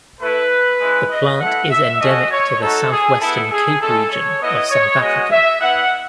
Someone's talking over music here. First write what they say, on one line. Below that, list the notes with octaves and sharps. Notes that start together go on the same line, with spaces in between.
The plant is endemic to the southwestern Cape Region of South Africa.
A3 E4 B4
G#3 C#4 E4
D#5
A3 E4 F#5
E5
A3 C#4 F#4 D#5
C#5
A3 D#4 F#4 A4
G#4
B3 E4 A4
G#4
G#3 C#4 E4 A4
C#5
B3 E4 D#5
C#5
G#3 B3 F#4 D#5
E5
B3 E4 F#5